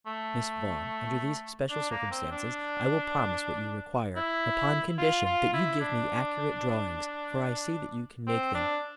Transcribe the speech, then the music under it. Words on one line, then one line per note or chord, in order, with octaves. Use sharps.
"Miss Vaughan, under these special circumstances, I will promise what you require; upon condition that you give me accurate drawings, for I see that you can make them."
A3
D4
A#3
C4
D4
E4
F4
F4
E4
D4
C4
D4